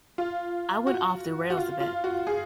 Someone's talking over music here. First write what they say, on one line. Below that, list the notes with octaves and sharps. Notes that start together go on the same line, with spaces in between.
I went off the rails a bit.
F4
F#4
F#4
F4
F4
F#4
G#4